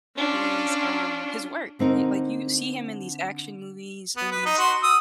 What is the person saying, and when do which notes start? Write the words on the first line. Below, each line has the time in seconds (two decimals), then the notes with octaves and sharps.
his, um, his work, y like you see him in these action movies and these
0.16 C#4 D4 F4
1.79 D3 C4 D#4 A#4
4.17 B3
4.31 B4
4.46 D#4
4.58 F#4 C6
4.83 D#6 E6